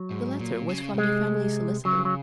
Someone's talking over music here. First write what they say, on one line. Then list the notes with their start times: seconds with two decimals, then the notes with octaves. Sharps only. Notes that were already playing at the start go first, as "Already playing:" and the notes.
The letter was from the family solicitor.
Already playing: F#3
0.11 G#2
0.40 A#2
0.69 C#3
0.94 C#3
0.98 C3 G#3
1.85 C#3 F#3
2.05 F#3